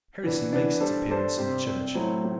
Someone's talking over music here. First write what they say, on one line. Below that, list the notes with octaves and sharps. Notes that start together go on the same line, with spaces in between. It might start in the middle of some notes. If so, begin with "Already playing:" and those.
Heresy makes its appearance in the Church.
E3 B3 D4
E3 B3 D4
G3 D4 A4 C5
G3 D4 A4 C5
C3 G3 C4 G4 C5
C3 G3 C4 G4 C5
A2 F#3 A3 C4 E4
A2 F#3